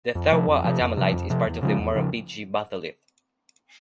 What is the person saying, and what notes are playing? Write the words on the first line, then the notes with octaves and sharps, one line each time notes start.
The Tharwa Adamellite is part of the Murrumbidgee Batholith.
F2
C3 F3
F2
C3 F3
F2
C3 F3
F2
C3 F3
E2
C#3 F3 G#3
E2
C#3 F3